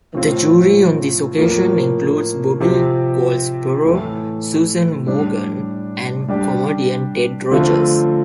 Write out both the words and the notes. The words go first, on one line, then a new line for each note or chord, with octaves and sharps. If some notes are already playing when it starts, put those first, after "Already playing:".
The jury on this occasion included Bobby Goldsboro, Susan Maughan and comedian Ted Rogers.
A2 F3 C4 F4
A2 F3 A#3
C3 F3 C4 G4
A2 E3 A3
A2 G3 D4
G3 D4 G4
D3 F3 A3 C4 F4